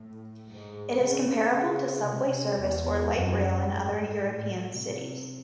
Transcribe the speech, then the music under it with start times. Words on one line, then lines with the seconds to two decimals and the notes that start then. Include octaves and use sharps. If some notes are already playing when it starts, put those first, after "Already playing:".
It is comparable to subway service or light rail in other European cities.
Already playing: A2
0.47 G#2
1.01 C#3
1.54 C#3
2.07 C3
2.60 E2
3.15 F#2
3.68 G#2
4.21 A2
4.74 C3